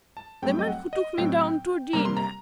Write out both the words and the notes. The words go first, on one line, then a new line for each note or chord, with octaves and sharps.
The man who took me down to dinner!
A5
G2 F#3 A3 C4 G5
D#5
F#5
D#5
A2 F#3 C4 G5
C3 G3 A#3 A#5
C6
A#5